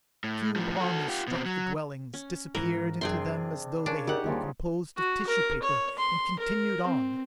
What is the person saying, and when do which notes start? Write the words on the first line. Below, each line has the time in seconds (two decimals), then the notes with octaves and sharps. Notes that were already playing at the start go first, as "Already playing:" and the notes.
The cube-army struck the dwellings, disappeared into them as though they had been composed of tissue paper, and continued on!
0.24 A2
0.56 A2 F3
0.77 F#4 A4
1.09 F4 G4
1.27 B2 C4
1.46 F#3
2.14 C#4
2.55 G#2 E3 A#4
3.01 F#2 C3 D4 G#4 G5 C6
3.86 C#3 D4 A#4 G#5 C#6
4.07 D#4 G4 A#4 D5 F#5
4.26 D#2 F3 G3 A#3 G#4 E5
4.97 F#4
5.27 A#4
5.62 C#5
5.99 C6
6.39 A#4
6.86 C4